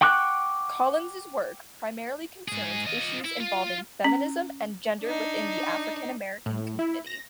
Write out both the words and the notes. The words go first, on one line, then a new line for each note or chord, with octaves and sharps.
Collins's work primarily concerns issues involving feminism and gender within the African-American community.
F#5 G5 C#6 D6 F#6
G#2 G#4
F4 D#5
E4
F4
C#4
D4 D#4
A2
E4
A#6